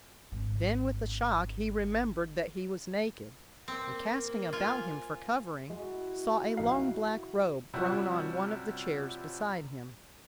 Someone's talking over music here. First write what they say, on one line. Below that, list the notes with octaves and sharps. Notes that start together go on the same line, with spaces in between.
Then with a shock he remembered that he was naked, and casting about him for covering, saw a long black robe thrown on one of the chairs beside him.
G#1 D3
A#3 C4
F4 G#5
G#3 E4 F#4
A#1 D#4 A#4 F5
C3 F3 G3 C#4 E4 F#4